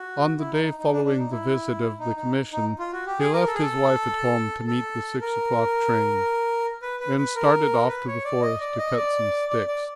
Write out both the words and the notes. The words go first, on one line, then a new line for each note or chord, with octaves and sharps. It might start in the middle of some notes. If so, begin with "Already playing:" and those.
On the day following the visit of the commission he left his wife at home to meet the six o'clock train, and started off to the forest to cut some sticks.
Already playing: F#4
E4
D#4
D#4
D#4
D4
D4
D#4
E4
D#4
D#4
D#4
F4
F#4
G4
G#4
A#4
A4
G#4
A4
A4
A#4
B4
B4
B4
A#4
B4
C#5
D5
D#5
D5
D#5
D5
D5
D5